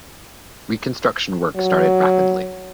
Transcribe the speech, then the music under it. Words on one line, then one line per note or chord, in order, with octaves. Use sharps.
Reconstruction work started rapidly.
F#3